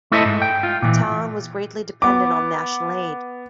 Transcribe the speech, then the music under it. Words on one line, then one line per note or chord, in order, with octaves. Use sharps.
The town was greatly dependent on national aid.
A3 E4 A4 C5 D#5 E5
G#2
G5
F4
A#2 E3
B3 D6